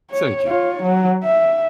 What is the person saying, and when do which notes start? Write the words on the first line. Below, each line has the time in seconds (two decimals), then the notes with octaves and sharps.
Thank you,
0.11 C#5
0.48 F4 C#5
0.83 F#3
1.24 E5